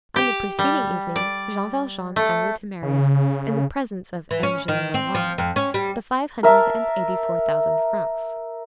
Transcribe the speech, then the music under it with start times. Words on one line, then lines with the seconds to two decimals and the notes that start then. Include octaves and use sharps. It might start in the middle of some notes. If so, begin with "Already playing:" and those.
On the preceding evening, Jean Valjean handed to Marius, in the presence of M. Gillenormand, the five hundred and eighty-four thousand francs.
0.16 G4
0.59 G3
1.16 D5
2.16 A3
2.82 C#3
4.31 E3
4.43 C#4
4.68 D#3
4.94 C4
5.15 F3
5.38 F2
5.56 C#4
5.74 G3
6.43 A#4 E5 A5